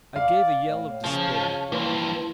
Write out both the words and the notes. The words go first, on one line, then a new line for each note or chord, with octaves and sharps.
I gave a yell of despair!
D5 F5
A2
F2 C#3 F3 C#5
G2 E3 F3 A#3